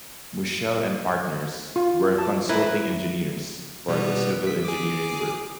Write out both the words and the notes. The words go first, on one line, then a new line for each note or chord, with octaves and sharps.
Mouchel and Partners were consulting engineers for the civil engineering work.
F4
A5
E4 A#4 B4
B2 G3 B3
B6
G#4 D6